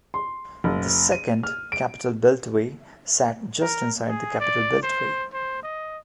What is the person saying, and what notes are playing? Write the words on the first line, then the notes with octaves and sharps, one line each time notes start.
The second, Capital Beltway, sat just inside the Capital Beltway.
C6
F#1
D#7
F6
D7
A#4
G#4
D5
C5
C5
D#5